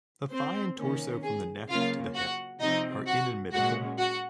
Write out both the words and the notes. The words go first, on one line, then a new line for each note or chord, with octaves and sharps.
The thigh and torso from the neck to the hip are inimitable.
C4 C5
C3 D#3 A#3 C#4
G#4
C#3 F#3 A#3 C#4 F4 F5
F#4 F#5
C3 F3 C4 D#4 D#5
F#4 F#5
A#2 G#3 C#4 F#4 F#5
F#4 F#5